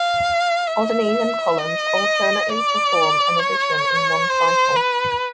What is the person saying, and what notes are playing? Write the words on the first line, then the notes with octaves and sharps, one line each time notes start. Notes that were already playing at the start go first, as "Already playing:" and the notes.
Odd and even columns alternately perform an addition in one cycle.
Already playing: F5
E5
D#5
D5
C#5
C5
B4